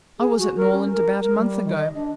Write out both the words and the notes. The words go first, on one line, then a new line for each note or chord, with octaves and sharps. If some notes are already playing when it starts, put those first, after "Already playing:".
"I was at Norland about a month ago."
G#4
F#4
A#4
C#4
A#4
A#4
G3
D#3
D#5
D4